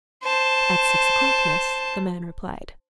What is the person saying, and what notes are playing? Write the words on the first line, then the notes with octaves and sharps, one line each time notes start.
"At six o'clock, miss," the man replied.
C5 A5